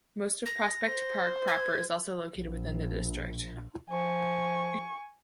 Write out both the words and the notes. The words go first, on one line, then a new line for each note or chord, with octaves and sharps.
Most of Prospect Park proper is also located within the district.
A#6
C5
G#6
A#1
F3 G#5 C#6